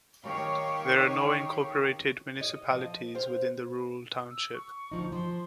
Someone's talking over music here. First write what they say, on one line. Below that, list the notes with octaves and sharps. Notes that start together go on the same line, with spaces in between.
There are no incorporated municipalities within the rural township.
D#3 G4 C#5 F5
C#5 D#5
F3 D#5
C5 F5
E6
C#6
D2 F3 D#4
F3 C6